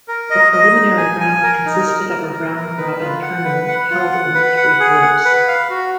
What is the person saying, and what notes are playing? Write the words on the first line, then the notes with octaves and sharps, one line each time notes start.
The preliminary round consisted of a round-robin tournament held in three groups.
A#4
D#5
D#5
D#4
G#5
G#5
A#4
D#4
A#4
A#4
A#4
A#4
B4
F4
F#5
B4
F#5
F4
F#5
B4
F#5
G#4
F#5
B4
F5
F#4